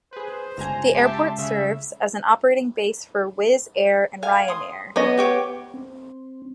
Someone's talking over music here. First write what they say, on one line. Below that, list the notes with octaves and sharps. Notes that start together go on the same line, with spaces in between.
The airport serves as an operating base for Wizz Air and Ryanair.
G#4 B4 C5
G1 C#2 G#5 A#5
G4 E5 A5 C6
C#3 E5
F5 G#5
C6 D#6
B3 C#5 D#5
G4 C#5 D6
C4